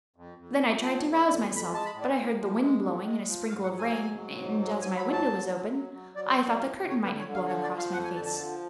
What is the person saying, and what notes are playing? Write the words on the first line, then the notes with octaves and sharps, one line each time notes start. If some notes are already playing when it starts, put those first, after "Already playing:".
Then I tried to arouse myself, but I heard the wind blowing and a sprinkle of rain, and, as my window was open, I thought the curtain might have blown across my face.
F2
F2
F2
F3 A5
C#5
F2
C#5
F2 D5
G#5
F2
B5
G#3 A5
B5
A2
D5
A2
F3
G#3
A2
G#3
F3
G#2 F5
F#5
F#3
G#5
G#2
F#3
G#2
F#3
F#3 G#5
B5
G#2
A5
F#3
F#3
F#3
F#3
F#3 D5
D5
F#3
D5
A2 F5
A2
C#5
D3 B4
C#5
D3
F5
F3 C#5
D5
F3
F5
F2 F#5
G#5
D3 A5
A5
F3